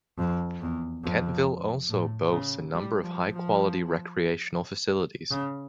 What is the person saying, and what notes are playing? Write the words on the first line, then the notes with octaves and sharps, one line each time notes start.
Kentville also boasts a number of high quality recreational facilities.
F2
E2
F2
A2
C#3
G3
F3
F3
C#3